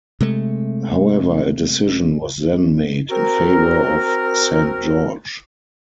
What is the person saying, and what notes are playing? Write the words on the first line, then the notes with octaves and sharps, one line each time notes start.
However, a decision was then made in favor of Saint George.
C3 G#3 A3
C4 F#4 A#4